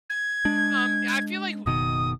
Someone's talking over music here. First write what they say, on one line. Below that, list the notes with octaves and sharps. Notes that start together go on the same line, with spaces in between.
Um, I feel, like, w
G#6
G#3 D4
F#1 B2 D#3 D#6